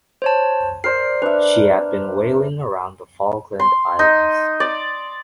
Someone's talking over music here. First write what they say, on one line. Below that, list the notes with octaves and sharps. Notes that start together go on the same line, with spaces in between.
She had been whaling around the Falkland Islands.
C5 C#5 A5
A#4 C5 D5 C7
D4 B4 E5
C6
D#4
D5